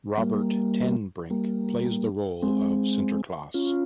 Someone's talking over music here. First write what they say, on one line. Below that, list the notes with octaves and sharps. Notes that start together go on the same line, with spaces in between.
Robert ten Brink plays the role of Sinterklaas.
G3 A#3
G3 A#3
G#3 C4
C#4 F4